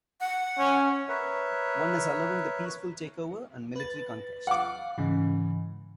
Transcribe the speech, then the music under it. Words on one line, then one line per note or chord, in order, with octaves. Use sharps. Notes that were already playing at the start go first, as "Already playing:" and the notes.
One is allowing the peaceful takeover, and military conquest.
F#5
C#4
A#4 B4 C#5 E5
B4 A6
F5 F#5 D6
G#2 C#3 E3